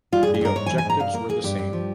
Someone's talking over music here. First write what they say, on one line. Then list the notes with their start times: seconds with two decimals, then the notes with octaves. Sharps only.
The objectives were the same.
0.12 G3 F4
0.23 G#4
0.27 G2
0.34 G#4
0.41 G2 A#4
0.56 G#2 C#5
0.66 G#5
0.70 E3
0.78 G#5
0.85 G#2 A#5
1.00 G2 F5
1.14 A#3 A#4
1.29 A#3 G#4
1.44 G2 G4
1.59 G2
1.73 F3